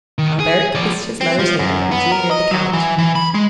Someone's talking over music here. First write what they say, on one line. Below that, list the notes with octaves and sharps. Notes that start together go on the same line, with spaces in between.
Albert kissed his mother's hand, and drew near the count.
D#3
G#4
F3 D5
C4
F3
F#2
B3
A#4
D#5
F#3
E3
E3
B5
G#3